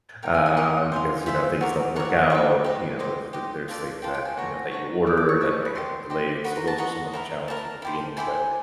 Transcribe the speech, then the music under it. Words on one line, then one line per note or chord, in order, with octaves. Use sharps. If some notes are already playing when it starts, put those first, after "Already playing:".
Um, because, you know, things don't work out, you know, th there's things that, you know, that you order that may have been delayed, so, those are some of the challenges in the beginning, but
D#4 G4 A#4 G5
G#5
G#5
D#4 G4 A#4 F#5
F4 G#4 C5
F4 G#4 C5 E5
F#4 A#4 D5
F#4 A#4 D5 F#5
G4 B4 D#5
G4 B4 D#5
G4 C5 D#5
G4 C5 D#5
F4 A4 D5
F4 A4 D5 G5
G5
G#5
F#4 A4 C#5 A#5
F#4 A4 C#5
E4 A4 D6
D6
C#6
E4 A4 C#5
B5
G4 C5 D#5 C6
G4 C5 D#5
F#4 B4 D#5 B5
A#5
A5
F#4 B4 D#5 A#5
E4 G4 A#4
E4 G4 A#4 A5
E4 G4 C5
E4 G4 C5 G#5